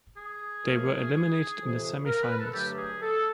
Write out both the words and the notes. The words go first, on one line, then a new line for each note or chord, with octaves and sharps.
They were eliminated in the semifinals.
G#4
A#2 F3 A3 C#4
F2 C3 E3
A#4
B4
A4
G2 D3 F#3 A3 G4
G#4
A4